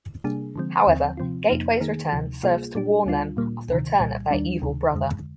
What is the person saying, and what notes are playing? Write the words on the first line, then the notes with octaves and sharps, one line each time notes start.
However, Gateway's return serves to warn them of the return of their evil brother.
C3 G3 A#3 D4 G#4
D3 F3 G#3 C4
D#2 D3 F3 C4
C3 F3 C4 F4
F2 C3 F3 A#3 D#4
D#3 A#3 D#4 G#4
D2 C3 F3
C3 G3 A#3 F4 G#4
A#2 G3 D4 G4
D2 D3 G3 D4 F4
A#2 G3 A#3
D2 C3 D#3
C2 A#2 G3
D#2 D#3 G3 D4
D2 C3 D#3
F2 D3 G#3